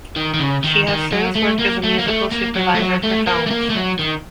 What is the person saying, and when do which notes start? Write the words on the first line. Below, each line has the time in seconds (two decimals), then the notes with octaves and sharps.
She has since worked as a musical supervisor for films.
0.16 D#3
0.34 D#3
0.39 C#3
0.64 D#3
0.88 D#3
1.12 F#3
1.35 A3
1.59 A#3
1.83 A3
1.99 A#3
2.08 A3
2.32 A#3
2.55 F#3
2.75 A3
2.79 F#3
3.03 A3
3.27 A#3
3.46 A3
3.51 A#3
3.70 A3
3.75 F#3
3.99 D#3